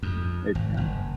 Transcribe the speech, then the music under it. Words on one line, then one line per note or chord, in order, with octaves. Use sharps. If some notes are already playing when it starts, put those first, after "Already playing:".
It can.
F2
G#1
F#1